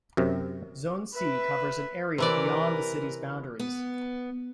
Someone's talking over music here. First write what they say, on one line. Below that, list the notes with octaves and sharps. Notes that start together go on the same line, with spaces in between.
Zone C covers an area beyond the city boundaries.
F#2 C3
B4 E5
C3 E3 A#4 B4 D5
B3